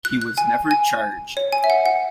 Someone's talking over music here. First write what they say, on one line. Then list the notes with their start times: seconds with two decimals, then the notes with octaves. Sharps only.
He was never charged.
0.05 F#6
0.22 F#6
0.38 G#5
0.71 G#5
1.37 C#5
1.52 G#5
1.64 E5
1.70 F#5
1.86 F#5